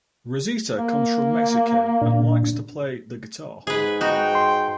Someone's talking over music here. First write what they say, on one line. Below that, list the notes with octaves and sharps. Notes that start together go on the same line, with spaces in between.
Rosita comes from Mexico and likes to play the guitar.
A#3
A#2 D4
G#2 G#4 B4
D#4 F#4 G5
C6